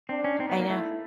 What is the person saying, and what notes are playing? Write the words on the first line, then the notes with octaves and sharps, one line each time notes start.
I know.
C4 D4
C#4
C4 D#4
B3
A#3
A3 E4